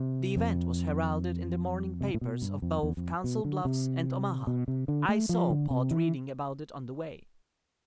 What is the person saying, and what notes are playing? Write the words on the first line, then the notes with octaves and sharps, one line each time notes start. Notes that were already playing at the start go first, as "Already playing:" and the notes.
The event was heralded in the morning papers of both Council Bluffs and Omaha; I saw Pod reading about it on the way.
Already playing: C3
F2
C3
A2
B2
G2
F2
E2
F2
B2
D3
C3
B2
C3
D3
A3
F3
D3
C3
E3